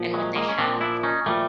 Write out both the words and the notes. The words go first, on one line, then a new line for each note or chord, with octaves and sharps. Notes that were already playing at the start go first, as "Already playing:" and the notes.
and what they have
Already playing: A#2 F3
F#3 G#3
G#3 A#3
C#4
A#2 F3 C4 D4
D4 E4
C#4 D#4
A#2 F3 G3 A3